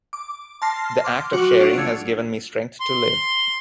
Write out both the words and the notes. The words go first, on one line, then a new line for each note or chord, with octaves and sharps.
The act of sharing has given me strength to live.
D6
A5 C6 F6 A#6 C7
C6 D6 F6
F#3 F#4 F#5 C#6 D6
D4 F4
A3 G#6 C#7
C6